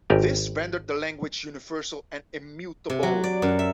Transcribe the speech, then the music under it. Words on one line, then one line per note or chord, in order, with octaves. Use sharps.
This rendered the language universal and immutable.
G#1 G4 A#4 D5 G#5
C3
F#3
D5
F#2
E5